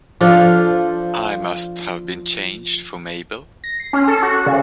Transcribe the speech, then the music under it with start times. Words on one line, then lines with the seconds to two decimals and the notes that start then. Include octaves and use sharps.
I must have been changed for Mabel!
0.21 F3 D4 F4 A4
3.64 A#6
3.80 C7
3.93 C#4
4.08 A4
4.23 F#4
4.46 C#3